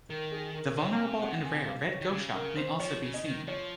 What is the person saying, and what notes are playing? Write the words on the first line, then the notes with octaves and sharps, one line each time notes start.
The vulnerable and rare red goshawk may also be seen.
D#3 A#4
G#4
A#4
C3 C#5
G#5
F#5
G#5
F5
C#5
D#3
C#3
A#4
C5
F3 C#5
C#3
D#5
D#3
F3 C#5